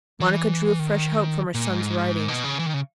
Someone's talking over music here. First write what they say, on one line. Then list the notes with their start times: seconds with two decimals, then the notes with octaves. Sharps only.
Monica drew fresh hope from her son's writings.
0.20 E3
0.79 D#3
1.55 A#2
1.69 G#2
2.28 B2
2.44 C#3
2.59 E3
2.66 D#3
2.74 C#3